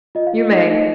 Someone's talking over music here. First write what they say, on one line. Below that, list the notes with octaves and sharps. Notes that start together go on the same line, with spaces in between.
"You may."
F4 D#5
F5
F4
D#4 D#5
D#4